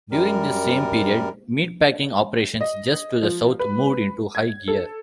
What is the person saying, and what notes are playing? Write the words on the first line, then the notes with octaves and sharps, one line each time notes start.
During this same period, meatpacking operations just to the south moved into high gear.
F#2 G3 A#4
D#5
F3
B4
G#6
A4